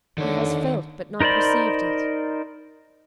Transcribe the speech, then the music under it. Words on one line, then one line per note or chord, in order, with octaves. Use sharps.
He has felt but not perceived it.
D3 D#3 C#5
D#4 A#4 C5 D5 B5